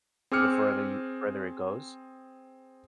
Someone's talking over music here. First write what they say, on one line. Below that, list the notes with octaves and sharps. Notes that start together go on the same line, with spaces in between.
the further you further it goes,
C4 G#4 D6 E6 F6 C#7